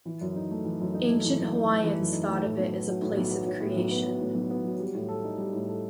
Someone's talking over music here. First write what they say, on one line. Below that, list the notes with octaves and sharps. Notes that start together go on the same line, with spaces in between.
Ancient Hawaiians thought of it as a place of creation.
E3
F#2
D#4
A3
E3
F#2
D#4
A3
E3
F#2
D#4
A3
E3
F#2
D#4
A3
A2
B1
B3
F#3
A2
B1
B3
F#3
A2
B1
B3
F#3
A2
B1
B3
F#3
G3
A2
A4
D#4
G3
A2
A4